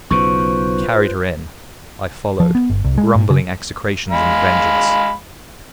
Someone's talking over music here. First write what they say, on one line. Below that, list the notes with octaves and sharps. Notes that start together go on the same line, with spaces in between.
He carried her in; I followed, grumbling execrations and vengeance.
B1 C#3 F4 B4 C5 C#6
F3
B3
G1
C2
G#3
G#2
C#3
G#3 F5 B5